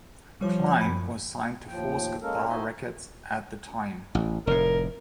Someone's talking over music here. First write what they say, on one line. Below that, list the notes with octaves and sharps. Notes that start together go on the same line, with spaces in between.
Cline was signed to Four Star Records at the time.
F3 G3 C#5
F#2 B5
D#2 A2 F3 G5
G#3 A#3 C#4 A4 A#4
D#4 F#4 C5 D#5 E5 G#5
A1
F1 A2 A#4